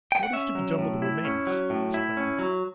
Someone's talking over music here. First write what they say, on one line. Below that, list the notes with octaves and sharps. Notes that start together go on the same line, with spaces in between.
'What is to be done with the remains?' asked Lightwood.
G5
F#5
C#4 E5
F#3
A2
E4
C#4
F#3
A2
E4
C#4
F#3